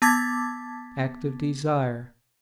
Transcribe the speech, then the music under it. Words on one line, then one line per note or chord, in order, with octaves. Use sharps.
Act of Desire.
B3 A5 D6 G#6 A6 B6